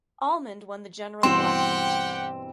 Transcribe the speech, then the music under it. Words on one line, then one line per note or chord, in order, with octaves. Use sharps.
Almond won the general election.
G2 B2 E3 C4 G4 F#5 G5 C6